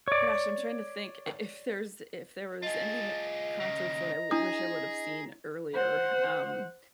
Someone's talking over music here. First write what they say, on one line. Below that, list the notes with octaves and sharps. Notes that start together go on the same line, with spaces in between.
gosh, I'm trying to think i if there's if there was any e concerts that I w wish I would have seen earlier, um,
C#5 D5
F4 G#4 D#5 A5
D#2 C#3 A#5
D4 E4 G#4 D#6
C5 F#5